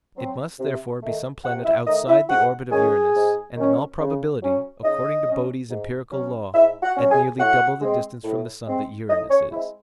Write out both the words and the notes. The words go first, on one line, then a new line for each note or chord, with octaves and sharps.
It must, therefore, be some planet outside the orbit of Uranus, and in all probability, according to Bode's empirical law, at nearly double the distance from the sun that Uranus is.
F#3 C4
C3
D#3 A3
C3 F#4 F#5
E4 E5
D#3 A3 D#4 D#5
E4 E5
G#2 F#4 F#5
D#3 F#3 C#4 G#4 G#5
G#2
D#3 F#3 C#4
C#3
F#3 C#4
C#3 D#4 D#5
F#3 C#4
G#2
F#3 C#4
G#2 E4 E5
F#4 F#5
F#3 C#4
G#4 G#5
A2 F#4 F#5
G#3 C4
A2
G#3 C4
A2 D#4 D#5
C#4 C#5
G#3 C4 E4